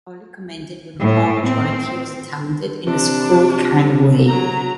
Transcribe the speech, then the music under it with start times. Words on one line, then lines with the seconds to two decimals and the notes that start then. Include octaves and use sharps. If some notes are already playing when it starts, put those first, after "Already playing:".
McCauley commented when Crowell joined "he was talented in a schooled kind of way".
0.99 A2
1.46 C4
2.87 C3 D4
4.27 F#3 A#5